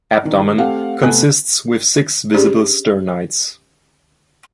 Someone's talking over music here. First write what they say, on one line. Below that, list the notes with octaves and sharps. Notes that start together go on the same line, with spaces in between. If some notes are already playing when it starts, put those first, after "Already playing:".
Abdomen consists with six visible sternites.
D#3 D4
A3 C4 G4 F5 F#5
C3 A3 B3 G#5 F#6
C#4 D4 G4 G#4 C5 D5